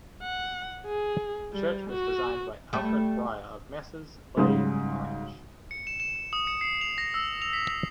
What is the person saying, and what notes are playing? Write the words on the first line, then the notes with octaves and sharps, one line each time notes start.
The church was designed by Alfred Bryer of Messrs. Leigh and Orange.
F#5
G#4
G3
F#4
G3 A3
B1 G#2 C#3 G3 C6 D#6
C#7
E7
E7
D#6
C#7
C7
F7
A#6
E6
F7
B6
F7